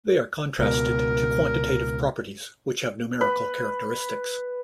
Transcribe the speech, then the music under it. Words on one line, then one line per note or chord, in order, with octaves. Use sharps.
They are contrasted to quantitative properties which have numerical characteristics.
C#2 B2 A#4
B4